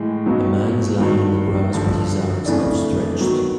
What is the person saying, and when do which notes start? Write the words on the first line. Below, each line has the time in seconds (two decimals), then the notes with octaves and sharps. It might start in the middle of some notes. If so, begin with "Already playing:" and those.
A man is lying in the grass with his arms outstretched.
Already playing: A2 E3 G#3
0.26 C#2 B2 F#3 B3 D#4
0.99 G2 D#3 F#3
1.73 G2 D3 F3
2.46 F2 C#3 E3 A3 D4
3.19 D#3 F#3 B3